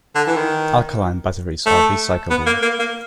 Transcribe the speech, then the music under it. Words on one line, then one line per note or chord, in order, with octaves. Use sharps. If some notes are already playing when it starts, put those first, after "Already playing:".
Alkaline batteries are recyclable.
D3
E3
D#3
A3
B3
A#3
A#3
A#3